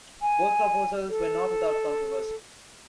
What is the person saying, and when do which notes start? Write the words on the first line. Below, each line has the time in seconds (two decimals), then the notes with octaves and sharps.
Both proposals were not without controversy.
0.22 G#5
1.09 A4